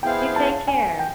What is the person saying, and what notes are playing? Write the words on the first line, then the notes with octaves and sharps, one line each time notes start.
You take care.
B3 E4 G#4 C5 F5 G5
A5
G#5
G5